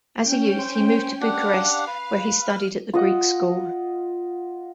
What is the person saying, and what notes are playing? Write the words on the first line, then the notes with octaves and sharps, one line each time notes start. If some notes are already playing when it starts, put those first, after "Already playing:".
As a youth he moved to Bucharest where he studied at the Greek School.
C#4 G5
C5
D4 G4 F5 F#5
B4
F6
F4 D#5 F#5